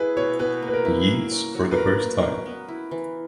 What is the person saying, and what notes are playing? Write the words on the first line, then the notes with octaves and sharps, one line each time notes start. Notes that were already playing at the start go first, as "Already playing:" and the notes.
Yeats for the first time.
Already playing: E4 G#4 B4
B2 C#5
B2 B4
A#3
B4
A#4
E4
A#3
C#4
F#3
B4
F#4 A#4
A#3
C#4
B3
E4
E3